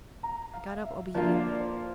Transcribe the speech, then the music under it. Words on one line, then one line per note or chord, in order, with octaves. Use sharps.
I got up obediently.
A#5
F5
E5
F3 A#3 D4 F4 D5
D5
C5